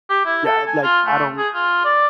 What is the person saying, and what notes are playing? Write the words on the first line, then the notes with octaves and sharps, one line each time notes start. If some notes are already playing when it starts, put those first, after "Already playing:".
yeah, like, I don't
G4
E4
A4
G#5
F4
A3
G#4
F4
D5